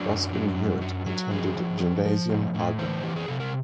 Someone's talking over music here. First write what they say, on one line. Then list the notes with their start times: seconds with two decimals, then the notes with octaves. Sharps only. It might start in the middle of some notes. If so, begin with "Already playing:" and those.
Busken Huet attended Gymnasium Haganum.
Already playing: F#3 D4
0.09 F#2
0.33 F#3
0.58 F#2
0.81 F#3
1.06 F#3
1.31 F3 G#4
1.56 F3
1.80 F3
2.05 F3
2.30 A2
2.54 A2
2.79 E3 C5
3.03 E3 G4
3.16 G#4
3.28 C3 A4
3.40 A#4